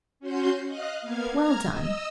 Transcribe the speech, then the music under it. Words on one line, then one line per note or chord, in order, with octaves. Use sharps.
Well done.
C#4 F#4 C6 G6
D#5 F5 F#6
A#3 B3 F5 G#6
A#5 F6 G#6
D#5 E6